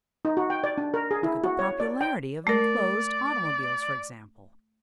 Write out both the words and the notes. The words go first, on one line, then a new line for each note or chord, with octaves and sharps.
Look at the popularity of inclosed automobiles, for example.
D#4
F#4
G5
D5
D4
A#4
G#4
E4
F#4
C#5
D5
G5
A3 A#4 D5